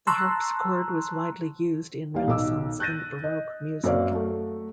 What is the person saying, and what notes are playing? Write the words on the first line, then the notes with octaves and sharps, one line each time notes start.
The harpsichord was widely used in Renaissance and Baroque music.
A5 A#5 C6 C#6 E6 F#6
D#2 G3 F5
B1 D#3 D6 E6
F#6 G6 A6 A#6 D#7
D#5
F#2 A#3 C4 C#5 D5 F5
F#3 A3